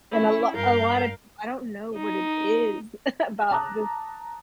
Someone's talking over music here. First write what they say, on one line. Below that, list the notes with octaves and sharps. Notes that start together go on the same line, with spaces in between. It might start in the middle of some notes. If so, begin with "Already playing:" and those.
And a lot a lot of, I don't know what it is about this
C#4 E4
G2 A#4 F5 G6
D#4
A5 A#5 D6 D#6 F#6